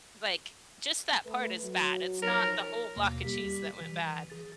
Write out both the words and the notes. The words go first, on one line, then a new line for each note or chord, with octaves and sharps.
like, just that part is bad, it's not the whole block of cheese that went bad.
A3 B4
F#3
F3 D#4 A#4 C#5
D#2 B2 A#3
G3 G4 B6
E3
G#4 A6